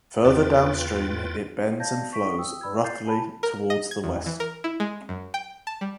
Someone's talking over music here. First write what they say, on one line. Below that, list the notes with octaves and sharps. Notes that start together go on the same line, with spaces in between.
Further downstream it bends and flows roughly towards the west.
E2 F4 B4 G5 A6
D5 F5 A5 G6 G#6 A#6
C#6 B6 D7
G5 D#6 E6
B4 D5 B5 E6 G#6
F#6 G6 A6 C7
G#5 A5 B5
A#4
D#5
G#6
E2
E3
A#4
E4
G#3
F#2
G5
A5
G3